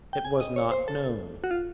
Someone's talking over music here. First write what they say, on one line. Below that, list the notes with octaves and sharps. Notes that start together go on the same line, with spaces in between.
It was not known.
G5
G#5
D#5
C#5
C5
A4
F#4
F4